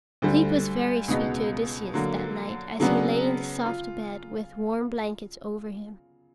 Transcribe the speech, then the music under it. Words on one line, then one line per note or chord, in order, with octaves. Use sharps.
Sleep was very sweet to Odysseus that night as he lay in the soft bed with warm blankets over him.
D2 D3 G3
C#2 B2 G#3 B3 D#4
D3 F#3 A#3
C#3 F#3 B3 D4
F4